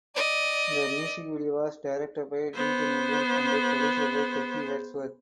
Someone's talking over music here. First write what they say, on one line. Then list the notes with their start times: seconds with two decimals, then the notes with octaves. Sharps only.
The music video was directed by Tegen Williams and produced by Kitty Wordsworth.
0.15 D5 D#5
2.54 B3 C5